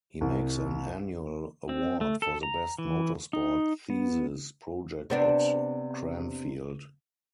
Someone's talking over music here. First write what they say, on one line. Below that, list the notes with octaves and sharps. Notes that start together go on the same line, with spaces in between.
He makes an annual award for the best motorsport thesis project at Cranfield.
C2
C4
A3
A4
A#5
E3
D#4
B3
C3 B3 D4